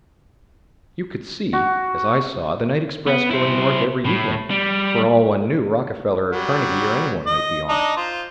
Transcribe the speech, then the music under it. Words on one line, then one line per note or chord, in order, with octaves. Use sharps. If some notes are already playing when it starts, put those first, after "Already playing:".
You could see, as I saw, the night express going north every evening; for all one knew Rockefeller or Carnegie or anyone might be on it!
F#4
B3
E4 C5
A2
G3
F#3 G3
D#5
D4 D#4 D#5
F4 C5